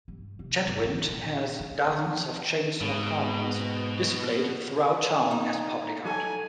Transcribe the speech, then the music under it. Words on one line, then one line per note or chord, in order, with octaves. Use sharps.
Chetwynd has dozens of chainsaw carvings displayed throughout town as public art.
G2
C3
G#1
D#2
A#1
D3
G#2 B2
D#4
F#3 A4 G#5